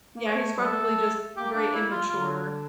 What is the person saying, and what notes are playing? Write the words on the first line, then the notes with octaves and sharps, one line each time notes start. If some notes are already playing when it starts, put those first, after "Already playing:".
Yeah. He's probably just very immature.
A#3
A3 C#5
G3
A3 A4
A#3 G4
D4
E4
F4
D3 F4